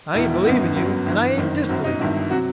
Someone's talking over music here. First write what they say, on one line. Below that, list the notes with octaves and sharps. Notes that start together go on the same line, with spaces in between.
I ain't believing you and I ain't disbelieving you.
E1 E2 B2 E4
G1 F#2 D#3 B3
G1 F#2 F#3 B3
G1 G2 E3
F#1 F#2 D#3 C4
G1 F#2 F#3 C4
D#4
G1 G2 D#3 F#3 E4
C3 F#3 F#4